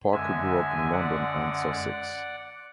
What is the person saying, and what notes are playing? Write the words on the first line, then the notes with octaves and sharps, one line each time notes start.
Parker grew up in London and Sussex.
F#2 D3 G#3 E5 G#5
D5 F#5